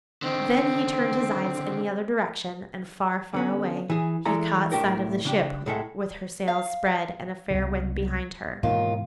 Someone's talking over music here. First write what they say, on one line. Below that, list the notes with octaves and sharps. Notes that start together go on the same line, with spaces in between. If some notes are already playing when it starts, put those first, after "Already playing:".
Then he turned his eyes in the other direction, and, far, far away, he caught sight of the ship with her sails spread, and a fair wind behind her.
D3 D#3 C4
D3 B3 C#4
E3 G#4
E3 G#3 E4 A4 D5 A#5
C2 A2 G3 D4 G4 A#4
C#3 D4 G4
C2 A2 G#3 A4 E5 F#5
F5
C2 B2
D#2 G#2 B2 D#3 E3 F4